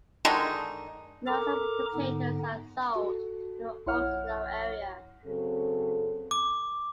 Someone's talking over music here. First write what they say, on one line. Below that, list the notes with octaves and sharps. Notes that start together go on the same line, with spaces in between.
Most of the potatoes are sold in the Oslo area.
D3 D#3 G#3 D#4
A4 A#4 A#5 D6
G#2 D3 B3 D#4
F#4 A4
A#1 E4 C#5 F#5 F6
C#3 F#3 C4 A4
D6